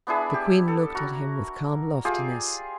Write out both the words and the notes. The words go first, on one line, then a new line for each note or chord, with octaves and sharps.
The queen looked at him with calm loftiness.
B3 D4 E4 G#4
G4
A4
F#4 A#4
F4 G4 G#4